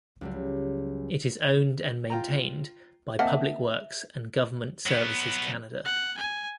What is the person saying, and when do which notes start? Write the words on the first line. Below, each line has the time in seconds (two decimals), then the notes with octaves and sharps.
It is owned and maintained by Public Works and Government Services Canada.
0.21 C#2 F#3 G3
2.10 F4 G5 A#5
3.19 A#3 C4 D#5 E5 F#5 A5
4.86 F#3 B3
5.85 F#5
6.18 G#5